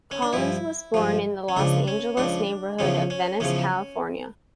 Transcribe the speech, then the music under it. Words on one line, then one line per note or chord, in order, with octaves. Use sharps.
Collins was born in the Los Angeles neighborhood of Venice, California.
C#4
D4
G2 F3 E4
G2 F3
C#4
C#2 C#3 F3 D4
C#4
C#2 C#3 F3 D4
E2 C#3 F3 C#4
C#4
E2 C#3 F3 C#4